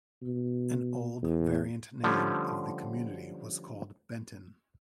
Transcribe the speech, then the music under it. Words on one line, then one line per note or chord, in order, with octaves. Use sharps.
An old variant name of the community was called Benton.
B2
E2
D3 F3 G3 A3 C#4